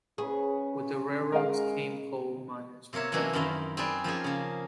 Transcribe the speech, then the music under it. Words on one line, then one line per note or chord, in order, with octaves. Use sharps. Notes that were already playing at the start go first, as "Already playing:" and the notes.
With the railroads came coal miners from Pennsylvania.
C#3 G#4 B4 C#6
G#3 A#4 D#5 F5
C3 A#3 A#4 C#5 E5
C3 E3 F#3 A#3 C#4 D4
F#2 D#3 E4 F5 A5 C6
C4 D#4 G#4 B4 D5
F3 A#3 C#4 G#4
C#3 A#3